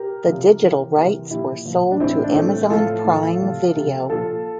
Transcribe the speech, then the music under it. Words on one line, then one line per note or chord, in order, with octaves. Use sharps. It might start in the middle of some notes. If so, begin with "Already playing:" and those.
The digital rights were sold to Amazon Prime Video.
Already playing: G4 A#4
C3 F3
C3 E3
C3 E3
A#2 F3 E4 G4
A#2 F3
D4
A2 E3 C4 E4
D4
A2 E3 A3 C4
A2 F3 F4 A4
A2 F3
C3 F3
C3 F3
A#2 F3 F4 A4